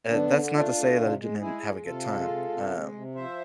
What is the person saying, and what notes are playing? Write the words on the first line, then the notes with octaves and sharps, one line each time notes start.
uh, that's not to say that I didn't have a good time, um,
D3 B3 D4
D3
A3 D4 F4
A3
C3
G#3
G#3 E4 G#4
G#3
C3 F4 A4
G#3
C3
C3
G#3
C3
F3 C5 E5